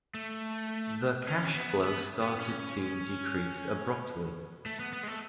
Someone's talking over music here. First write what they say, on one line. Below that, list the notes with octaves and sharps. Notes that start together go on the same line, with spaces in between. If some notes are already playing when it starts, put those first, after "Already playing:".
The cash flow started to decrease abruptly.
A3
C#4
B3
B3
B3
C#4
A3
B3
B3
G#3
A3